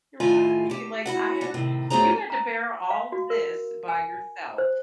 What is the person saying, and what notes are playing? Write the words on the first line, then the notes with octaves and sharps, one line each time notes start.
Y right. Like, I had and you had to bear all of this by yourself.
A2 D#3 F4 E5 G#5
D2 G4
E4 F#4 F#5
D4 F#4
A2 C3 D#3
F#2 A3 F#4 G#4 C5 A#5
A#5
F5
F#4
A#4
G#5
C5